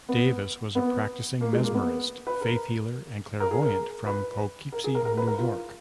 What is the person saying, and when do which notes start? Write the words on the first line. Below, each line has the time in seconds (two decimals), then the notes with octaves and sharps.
Davis was a practicing Mesmerist, faith healer and clairvoyant from Poughkeepsie, New York.
0.09 B3
0.75 B3
1.41 A#3
1.53 G#3
1.64 A#3
1.74 B3
2.27 B4
2.41 A#4
3.40 A#4
3.51 G#4
3.62 A#4
4.06 B4
4.72 A#4
4.84 G#4
4.95 A#4
5.05 A#4
5.17 B4
5.27 A#4
5.38 F4